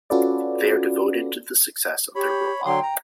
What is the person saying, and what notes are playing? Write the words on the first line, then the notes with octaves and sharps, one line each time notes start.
They are devoted to the success of their robot.
C#4 F4 F#4 A4 B4 D5
G4 C#5 B5
D3 F#3 G5 C6
A#5